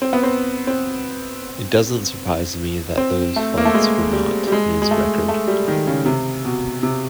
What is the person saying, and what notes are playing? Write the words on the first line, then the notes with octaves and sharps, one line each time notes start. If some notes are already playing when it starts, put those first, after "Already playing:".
It doesn't surprise me that those flights were not in his record.
C4
B3
C4
C4
C4
A3
A#3
A3
G#3
G3
G3
G#3
G#3
A3
A3
G3
D#3
C#3
C3
B2
C3